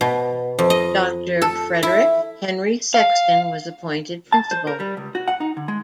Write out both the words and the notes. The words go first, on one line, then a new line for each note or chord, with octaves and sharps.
Doctor Frederick Henry Sexton was appointed Principal.
B2
F2
D#5
A4
E4
F5
A5
C5
A#4
G3
C#2
F#4
F#5
D#4
D3
G#3